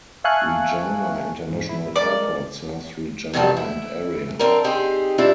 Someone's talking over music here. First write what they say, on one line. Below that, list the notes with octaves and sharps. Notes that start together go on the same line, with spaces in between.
Regina International Airport serves Regina and area.
E5 F5 G#5 A5 C#6 F#6
G#2
E4
G#3 A#4 D5
G#2 C3 D#3 F#3 G3 A5
E4
F#2 C4 D4 A#4
C4 D#4 G4 G#4 C5 G5
B2 G3 C4 D4 E4 F4